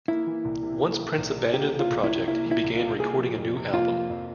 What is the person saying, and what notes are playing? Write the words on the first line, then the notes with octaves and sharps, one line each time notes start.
Once Prince abandoned the project, he began recording a new album.
A#3 E4
E3
C2
C3
A#3
E3
C2
C3
A#3 G4
E3
F4
C2
E4
C3
A#3 E4
E3
E4
C2
F4
C3
A#3 G#4
F3
F2
C3
A#3 F4
F3
F2